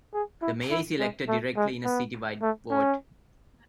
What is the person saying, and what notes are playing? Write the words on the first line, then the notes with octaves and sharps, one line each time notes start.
The mayor is elected directly in a citywide vote.
G#4
E4
E4
G#3
A3
G#3
B3
A3
C#4